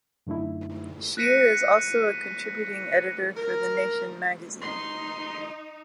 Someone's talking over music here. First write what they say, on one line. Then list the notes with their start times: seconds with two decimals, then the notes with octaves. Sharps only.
Scheer is also a contributing editor for the "Nation" magazine.
0.27 F#2 D3 A3 D#4 E4
1.17 F#6 A#6 B6 C#7 D#7
3.37 A#4
4.61 D#4 C6